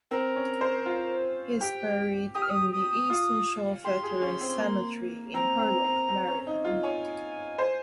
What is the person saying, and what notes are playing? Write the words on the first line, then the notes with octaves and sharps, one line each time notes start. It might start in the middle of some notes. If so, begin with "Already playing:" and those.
He is buried in the Eastern Shore Veterans Cemetery in Hurlock, Maryland.
C4 A#4
C#4
C5
F4
G4 G5
G4 D#6
F6
D#6
D#6
F4
G4 C6
G#4
C#4
C4
A#3
C4 A#5
C4
C4
C4
C#4
D#4
F4
C#5 G#5
C5